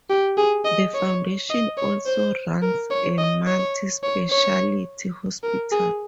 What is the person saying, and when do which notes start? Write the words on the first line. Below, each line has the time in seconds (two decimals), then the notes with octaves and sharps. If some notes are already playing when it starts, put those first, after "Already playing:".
The foundation also runs a Multi Speciality Hospital.
0.10 G4
0.38 G#4
0.65 D#5
0.94 C#5
1.50 D#5
1.78 C#5
2.06 C5
2.62 A#4
2.91 C#5
3.18 D#5
3.47 C#5
4.03 C#5
4.31 C#5
5.43 A#4
5.72 G#4